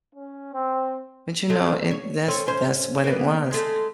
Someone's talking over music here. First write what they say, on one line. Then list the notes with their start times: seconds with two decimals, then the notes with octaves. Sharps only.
But, you know, and that's that's what it was,
0.15 C#4
0.54 C4
1.50 F#3 G#3 A3
1.91 C#5
2.28 A3 C4 C#4
2.46 G#2 C#4 C5
3.04 A#3 B3
3.51 G#3 A3